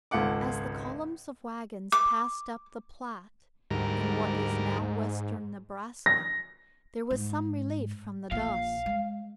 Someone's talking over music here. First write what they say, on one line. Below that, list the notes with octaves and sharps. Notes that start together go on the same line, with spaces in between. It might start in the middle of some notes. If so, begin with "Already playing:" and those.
AS the column of wagons passed up the Platte in what is now western Nebraska, there was some relief from the dust.
G#1 C#2 F4 A4 F#5 D6
D6
D2 G#2 G3 A#4
A#6
G#2
A#1 A#2 F5
G#3